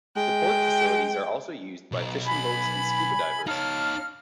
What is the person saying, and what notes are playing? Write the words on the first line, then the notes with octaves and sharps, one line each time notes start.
The port facilities are also used by fishing boats and scuba divers.
G#3 G5
B1
G#5 B5
D#4 C#5 F5 A5 F6